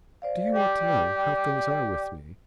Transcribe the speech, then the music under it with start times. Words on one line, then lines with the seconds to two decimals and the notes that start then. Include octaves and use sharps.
"Do you want to know--how things are with me?"
0.22 C5 D5 F5
0.54 G4 D5 G5 D6